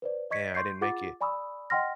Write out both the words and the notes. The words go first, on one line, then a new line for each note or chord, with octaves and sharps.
and I didn't make it.
B4 C5 D5
D5 D#5 C#6 G#6 B6 C#7
C6 C#6 G6 C7
F4 G#4 F#5 D6 A6
D5 G#5 B5 C#6 D#6 E6
D#5 F#5 G5 C6 F6 A#6